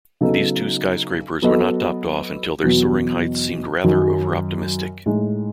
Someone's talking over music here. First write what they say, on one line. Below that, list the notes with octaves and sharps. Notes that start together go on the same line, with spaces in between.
These two skyscrapers were not topped off until their soaring heights seemed rather overoptimistic.
C#3 F#3 B3 D#4 A4
F#3 B3 F#4 A4 D#5
E2 B2 F#3 B3 F#4
F#2 D#3 F#3
A2 G#3 D#4